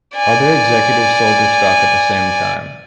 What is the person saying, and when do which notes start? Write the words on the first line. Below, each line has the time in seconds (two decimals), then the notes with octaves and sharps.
Other executives sold their stock at the same time.
0.16 D5 G#5